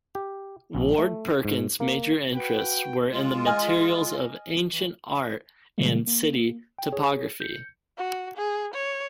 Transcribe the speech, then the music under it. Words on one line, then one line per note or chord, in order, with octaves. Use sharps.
Ward-Perkins' major interests were in the materials of ancient art and city topography.
G4
A#1
A3
G#2
A#3
F#4 B4 G5
G#3 F4
D#5 G#5 F6
E3
A#2 C#3 E3 G3 G#3 A#3
A#3
G5
G#4 C#5
G6 C#7
F#4
G#4
C#5